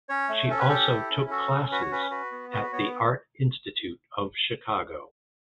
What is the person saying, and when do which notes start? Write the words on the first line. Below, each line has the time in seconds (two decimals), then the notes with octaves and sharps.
She also took classes at the Art Institute of Chicago.
0.09 C#4 C#5
0.29 A3
0.49 C#4 A4
0.60 B4
0.68 G4 A4
0.91 E4
1.10 C#4
1.30 F#4 A4
1.51 C#4
1.72 F#4 B4
1.81 C#5
1.92 C#4 B4
2.11 F#4 B4
2.32 B3
2.52 F#4 B4
2.63 B4
2.73 B3 C#5